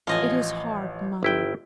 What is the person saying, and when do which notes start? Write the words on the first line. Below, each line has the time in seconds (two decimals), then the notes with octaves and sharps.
It is hard, mother.'
0.07 A1 F3 F4 D#5 G#5
1.23 G1 E4 G5